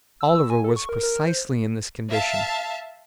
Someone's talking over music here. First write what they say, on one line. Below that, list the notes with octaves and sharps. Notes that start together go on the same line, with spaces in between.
Oliver was precisely in this condition.
E6
E6
G#5
A4
C#6
A#4
A#4
C5
E5 F5 A5